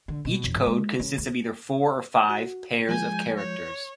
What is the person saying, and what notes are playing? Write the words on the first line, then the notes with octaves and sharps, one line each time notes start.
Each code consists of either four or five pairs of characters.
D3
B2
E1
G#2
G#3
C#3
D2
F#4
F3 G#3 G#5 G6
C#5